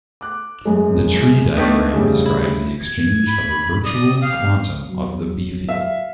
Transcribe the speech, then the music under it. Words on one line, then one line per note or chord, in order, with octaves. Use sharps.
The tree diagram describes the exchange of a virtual quantum of the B-field.
D6 F#6
F#2 G#3
D#3 A3 B3 D4
C#3 G3
E4
G#6
B5
D5 D#6
G4 F5
F#3
E5 F5